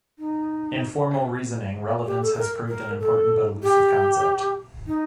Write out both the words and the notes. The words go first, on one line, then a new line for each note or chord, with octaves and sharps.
In formal reasoning, relevance has proved an important but elusive concept.
D#4
G4
A4
A4
A#4
A#4
A4
G4
D#4